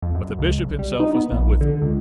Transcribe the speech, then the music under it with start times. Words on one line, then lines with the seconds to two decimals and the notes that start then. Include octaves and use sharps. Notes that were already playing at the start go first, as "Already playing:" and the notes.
But the Bishop himself was not with them.
0.02 F2
0.15 F#2
0.39 C#2
0.59 B1
0.79 G3
1.00 D#4
1.14 B3
1.31 A#1
1.61 D3
1.82 C#2